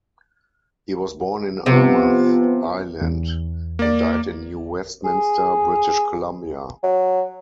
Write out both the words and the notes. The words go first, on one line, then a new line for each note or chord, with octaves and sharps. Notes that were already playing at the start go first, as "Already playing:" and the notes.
He was born in Armagh, Ireland and died in New Westminster, British Columbia.
C3 F3 B3
E2
A#3 D5
G#4
F#3